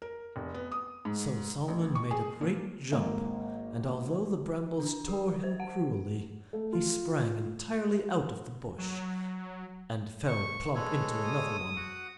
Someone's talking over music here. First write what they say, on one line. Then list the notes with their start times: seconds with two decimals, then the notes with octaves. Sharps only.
So Solomon made a great jump, and although the brambles tore him cruelly, he sprang entirely out of the bush and fell plump into another one.
0.02 A#4
0.36 F1
0.54 B3
0.72 D#6
1.05 G#2
1.68 A1
1.95 C#6
2.11 G#4
2.41 A#2
2.92 G#1 A#3
4.80 D4
5.08 G4
5.44 C5
5.60 F#5
6.53 A3
6.73 F4
8.78 F#3
10.28 C#6
10.75 G#3 A4 B4 C#5
11.24 D#6
11.76 F#4 F#5